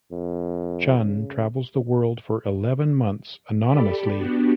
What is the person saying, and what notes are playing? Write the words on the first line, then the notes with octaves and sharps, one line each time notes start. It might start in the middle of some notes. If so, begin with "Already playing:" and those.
Chun travels the world for eleven months anonymously.
F2
C#3
G4 A4 D5 B5
B3 D4 F#4 G4